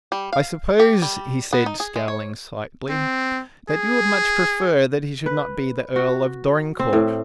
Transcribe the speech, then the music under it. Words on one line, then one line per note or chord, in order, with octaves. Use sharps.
"I suppose," he said, scowling slightly, "that you would much prefer that he should not be the Earl of Dorincourt."
G3
F5
G4
G3
B3
D#4
G#4
G#3
C#5
C4
G#4
B4
F#4
C4
A2